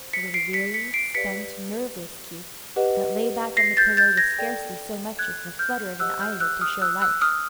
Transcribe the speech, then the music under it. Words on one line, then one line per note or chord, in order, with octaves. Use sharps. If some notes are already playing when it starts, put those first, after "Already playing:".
It was a weary, spent, nerveless Keith that lay back on the pillow with scarcely so much as the flutter of an eyelid to show life.
Already playing: C5
B6 C#7
C7 D7
B6 C#7
B6 C#7
C7 D7
G4 B4 D5 F5 B6 C#7
G4 B4 D#5 F#5
A#6 C7
G6 A6
G6 A6
G#6 A#6
A4 D5 G5
F#6 G#6
F6 G6
G4 C5 D#5 F#5 E6 F#6
F6 G6
E6 F#6
D#6 F6
E6 F#6
E6 F#6
D#6 F6